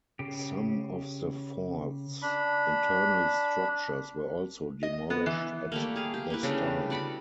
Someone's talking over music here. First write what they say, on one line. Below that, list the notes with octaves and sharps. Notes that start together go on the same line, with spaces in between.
Some of the fort's internal structures were also demolished at this time.
C#3 G4
D4 B5
D#5
B3
E3
G3 A3 A#3
G#4 F5
G4
A#3 E4 B4
C#3 G3 A3 D4
G3 F#4 D5 B5